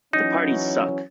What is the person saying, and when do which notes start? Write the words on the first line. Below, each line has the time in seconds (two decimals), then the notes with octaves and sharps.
The parties suck.
0.13 E3 F#3 C#4 D#4